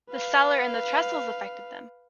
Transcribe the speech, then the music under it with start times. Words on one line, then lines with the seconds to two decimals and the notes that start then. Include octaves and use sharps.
The cellar and the trestles affected them.
0.11 B4 F5